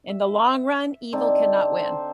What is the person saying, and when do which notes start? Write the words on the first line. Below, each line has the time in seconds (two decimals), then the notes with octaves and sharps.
in the long run, evil cannot win.
0.09 E5
1.12 D3 C4 D4 D#4
1.80 C5